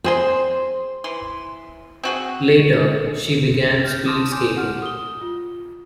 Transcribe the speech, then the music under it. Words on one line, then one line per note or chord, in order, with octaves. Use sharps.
Later, she began speed skating.
C4 G#4 C5 C6
E3 C6
C4 F#4 G#4
F6 G6
A5 C6 D6 D#6 F6
G#5 C6 D6 G6
G4 F#5 F6
D#6 G7
F4